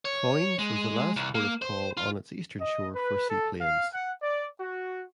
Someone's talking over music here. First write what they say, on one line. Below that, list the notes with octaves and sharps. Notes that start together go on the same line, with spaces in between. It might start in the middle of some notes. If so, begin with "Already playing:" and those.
Foynes was the last port of call on its eastern shore for seaplanes.
C#5
G#3
C2
A#3
C5
F4
D#5
B4
A4
F5
F#5
D5
F#4